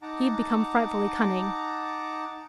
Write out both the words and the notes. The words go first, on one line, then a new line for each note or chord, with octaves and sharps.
He had become frightfully cunning.
D#4 F#5 A5 A#5 D6